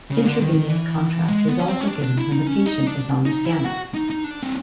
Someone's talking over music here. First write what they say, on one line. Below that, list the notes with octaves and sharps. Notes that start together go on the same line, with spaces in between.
Intravenous contrast is also given when the patient is on the scanner.
C#3
D3
D#3
D#3
E3
G#3
B3
C#4
C4
C#4
D4
D4
E4
D#4
C#4
D#4
D4
D#4
E4
F#4
D#4
D#4
D4
C4